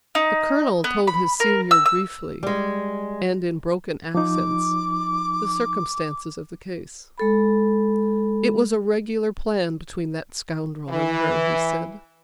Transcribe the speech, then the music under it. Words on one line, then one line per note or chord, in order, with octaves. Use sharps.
The Colonel told his senior briefly, and in broken accents, the circumstances of the case. "It was a regular plan between that scoundrel and her," he said.
D#4
B3
B5
A#4
E6
E6
G3 G#3
F3 D#4 D6
G#3 A4 B5
E3